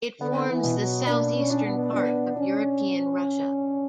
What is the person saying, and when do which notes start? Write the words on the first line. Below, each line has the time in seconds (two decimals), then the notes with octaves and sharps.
It forms the southeastern part of European Russia.
0.20 D3 B3
0.50 E3
0.63 B2
0.78 F#3
1.07 A#3 D4
1.36 C#4
1.50 D4
1.65 B3
1.93 B3 D4
2.36 C#4 D4